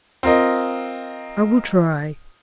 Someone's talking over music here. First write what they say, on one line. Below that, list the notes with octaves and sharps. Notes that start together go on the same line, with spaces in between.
"I will try."
C4 F4 A#4 D#5